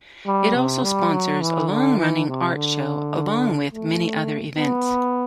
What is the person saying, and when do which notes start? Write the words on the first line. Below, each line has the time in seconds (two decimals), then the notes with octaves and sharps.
It also sponsors a long-running art show along with many other events.
0.26 G3
0.55 C3
0.84 G3
1.12 F#3
1.41 E3
1.70 D3
1.98 E3
2.27 C3
2.55 D3
3.70 A3
4.56 B3